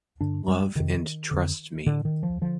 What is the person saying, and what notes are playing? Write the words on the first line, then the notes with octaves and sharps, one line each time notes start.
Love and trust me.
G2 D3 D4
G3
F2 C3 D#3
F2 D3
A2 D3
D#3
F3
D3 F3